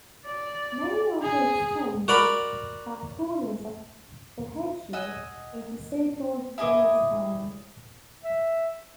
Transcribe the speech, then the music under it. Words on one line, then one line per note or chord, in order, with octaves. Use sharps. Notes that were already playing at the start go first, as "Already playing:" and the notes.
Many also extend the backcorners of the headshield into so-called genal spines.
D5
G#4
F#4 A#4 D5 B5
D#5 F#5 G#5 E6
E4 G#4 D#5 D6
E5